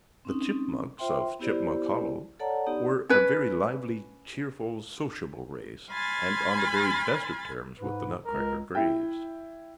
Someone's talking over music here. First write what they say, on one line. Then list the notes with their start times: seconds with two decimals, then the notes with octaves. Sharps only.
The Chipmunks of Chipmunk Hollow were a very lively, cheerful, sociable race, and on the very best of terms with the Nutcracker Grays.
0.25 C4 C#4 D#4
0.98 F4 C5 E5 G5 C6
1.39 B3 E4 G4 C5 D5
2.40 A4 C#5 D5 F#5 A5 A#5
2.66 B3 D#4 G4 D5
3.09 C#4 B4
5.91 G#5 B5 C6 F6 G#6 A6
7.79 G#2 B4
8.26 C#2 A#4
8.75 E4 G5